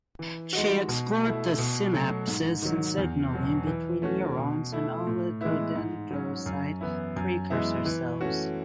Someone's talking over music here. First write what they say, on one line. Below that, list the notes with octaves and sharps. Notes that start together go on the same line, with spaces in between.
She explored the synapses and signaling between neurons and oligodendrocyte precursor cells.
E3
G#3 D#4 F#4
B2
A3 E4
B2
F#3 A3
G#2
D#3 F#3
E2
B2 F#3
E3
A3 C#4 F#4
B2
A3 E4
A2
E3 G#3 B3 E4
G#2
F#3 C#4
F#2
E3 B3 E4
F#2
E3 G#3 B3 E4
E3
A3 C#4 F#4